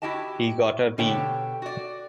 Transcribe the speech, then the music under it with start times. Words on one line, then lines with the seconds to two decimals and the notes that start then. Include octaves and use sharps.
He got a B.
0.02 E4 F#4 G4 D#5 A5
0.98 B2 D3 G4 C#5 G5 A5
1.62 F#4 D5